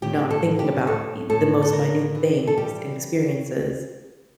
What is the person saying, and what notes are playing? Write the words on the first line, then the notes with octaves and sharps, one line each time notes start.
not thinking about, y the most minute things and experiences.
A2 G4
A4
A2
G4
A2 A4
A2 A4
A4
A2 A#4
E3
A4
G3 G4